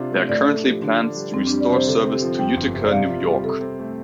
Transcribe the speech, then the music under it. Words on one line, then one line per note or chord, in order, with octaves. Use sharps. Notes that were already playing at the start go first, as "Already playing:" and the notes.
There are currently plans to restore service to Utica, New York.
Already playing: C3 D4 F4
A3
A2 D5
D4 A4
F3 G4
D3 D4
D4
G3
F2 C4
D4
G3
D5
C3 C5
D3 A4
C4
G4
F3
F2 G5
G1
C3
D5
C3 F5
F4
G3
C3 A4
C4
A3